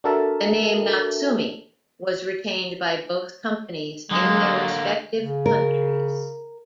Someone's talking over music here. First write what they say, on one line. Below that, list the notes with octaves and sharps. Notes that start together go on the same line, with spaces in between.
The name "Natsume" was retained by both companies in their respective countries.
D4 F#4 A4 A#4 E5 A5
D3 F#3 G#3 A#3
C#3
A#4